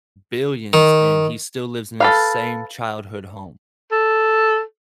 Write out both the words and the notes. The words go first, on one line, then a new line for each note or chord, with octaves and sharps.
billions, and he still lives in his same childhood home.
D#3
A4 B4 F5
A4